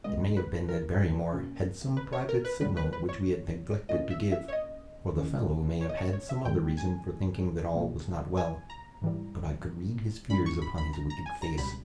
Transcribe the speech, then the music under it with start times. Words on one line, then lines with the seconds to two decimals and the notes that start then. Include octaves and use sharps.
It may have been that Barrymore had some private signal which we had neglected to give, or the fellow may have had some other reason for thinking that all was not well, but I could read his fears upon his wicked face.
0.04 B2 G#3 B3 D#5
0.37 B4
0.69 A#4
1.33 B2 A#3 C#4
1.97 B4
2.13 C#5
2.29 A#4
2.45 B4
2.61 D#2 C#3 G3 B3 B4
2.77 B4
2.93 B4
3.09 C#5
3.89 A#2 A#3 C#4 D#5
4.10 E5
4.32 E5
4.48 C#5
4.53 D#5
5.17 E2 D#3 A#3 C#4
5.81 C#5
5.89 D#5
5.97 C#5
6.13 C#5
6.29 E5
6.45 E2 D#3 G#3 G5
6.77 G#5
7.73 C#2 B2 A#3
8.37 G#5
8.70 A#5
9.02 G#2 E3 G3
10.30 G2 G3 C#4 B5
10.46 C#6
10.62 B5
10.78 B5
10.93 A#5
11.10 A#5
11.26 G#5
11.42 A#5
11.58 C#2 B2 G3 B5